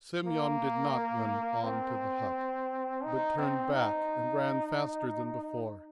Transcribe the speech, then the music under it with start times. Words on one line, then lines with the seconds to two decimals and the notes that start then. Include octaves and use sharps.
Semyon did not run on to the hut, but turned back and ran faster than before.
0.25 A#3
1.64 C4
3.04 D#4
3.39 C4
3.73 D#4